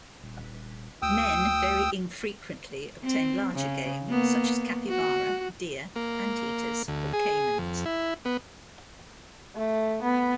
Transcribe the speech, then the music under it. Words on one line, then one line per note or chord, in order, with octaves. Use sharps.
Men very infrequently obtain larger game such as capybara, deer, anteaters, or caimans.
D#1
D2 G5 D#6 E6
C4
C#3
A#3 B3
F#4
A#3
D2
G#4
F2
E4
B3
A3
B3